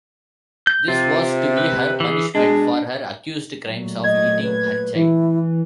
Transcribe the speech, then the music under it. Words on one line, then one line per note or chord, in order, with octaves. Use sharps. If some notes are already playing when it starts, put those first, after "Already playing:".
This was to be her punishment for her accused crimes of eating her child.
G6
C3 F4
B4
E3 G#4
B2 G#3 D4
A#2 F#3 A3
D#5 G#6
B4
E3 E4